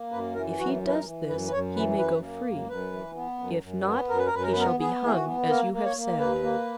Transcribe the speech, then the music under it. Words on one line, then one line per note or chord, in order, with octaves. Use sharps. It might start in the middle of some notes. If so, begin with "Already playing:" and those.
If he does this he may go free; if not he shall be hung as you have said.'
Already playing: A#3
F#2 B4
E3 A#4
F#2 F#4
E3
B4
A#4
E3
F#2 B4
B4
F#2 C#5
E3 B4
F#2 B4
A#3
F#2
F#2 B4
E3
B3
F#2
F#2
B3
F#2 A#4
B4
A#4
F#2 B4
A#4
B4
B3 A#4
B3 G#4
E3 G#4
F#4
B3
A#3 A#4
A#3
C#5
A#3
D#2 B4
A#3